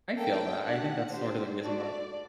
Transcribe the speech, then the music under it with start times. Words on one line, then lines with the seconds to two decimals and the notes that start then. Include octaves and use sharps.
I feel that. I think that's sorta the reason why
0.17 A#3 D4 A4 G5
0.65 A3 D4 G4 F#5
1.14 D4 G4 C5
1.62 A3 D4 F#4 A4 D5